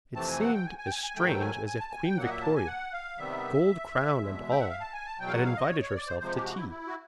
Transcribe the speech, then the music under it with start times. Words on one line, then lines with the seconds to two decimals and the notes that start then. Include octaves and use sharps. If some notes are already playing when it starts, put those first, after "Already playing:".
It seemed as strange as if Queen Victoria, gold crown and all, had invited herself to tea.
0.15 F2 C3 E3 A3 C4 A5
0.27 G#5
0.41 F#5
0.53 G5
0.66 G#5
0.78 G#5
0.86 G5
0.91 G#5
1.04 G#5
1.16 G#2 D#3 F#3 A3 G5
1.41 G#5
1.66 G#5
1.80 A5
1.91 G#5
2.05 G5
2.16 A#2 F#3 A#3 F#5
2.25 D#5
2.29 E5
2.42 A5
2.55 G#5
2.67 F#5
2.93 F5
3.17 C3 D#3 G3 B3 E5
4.17 E2 B2 G#3
4.51 G5
4.60 F#5
4.69 F5
4.81 A5
4.93 G#5
5.06 A5
5.19 E2 B2 F#3 G5
5.28 F5
5.31 F#5
5.44 F5
5.57 D#5
5.70 C#5
5.81 C#5
5.95 D5
6.07 C5
6.20 C3 F3 G#3 C5
6.36 G4
6.44 F#4
6.57 E4
6.69 E4
6.87 F#4